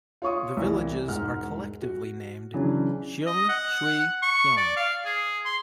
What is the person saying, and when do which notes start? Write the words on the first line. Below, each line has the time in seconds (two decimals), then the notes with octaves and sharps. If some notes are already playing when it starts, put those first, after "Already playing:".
The villages are collectively named "Sheung Shui Heung".
0.22 F4 C#5 C#6 D#6
0.57 C2 E3
1.07 E1 G#2 F#5 F6
1.82 F#4
2.54 C#3 E3 F#3 D4
3.26 D#5
3.49 F#5
4.23 C#6
4.57 D5
4.76 F5
5.05 G#4
5.45 C6